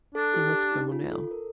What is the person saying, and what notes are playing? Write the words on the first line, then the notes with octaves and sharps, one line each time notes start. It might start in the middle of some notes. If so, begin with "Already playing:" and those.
He must go now.
D4 A4
G4
G4
D#4
F4
A4
A#4